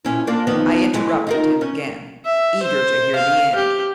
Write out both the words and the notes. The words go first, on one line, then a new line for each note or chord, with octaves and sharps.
I interrupted him again, eager to hear the end.
A#2 C#4 E4
A#3 D4 F4
D#3 F3 B3
E3 G#3 A3
D#4 F4 A#4
C#4
E5
C5
F5
G4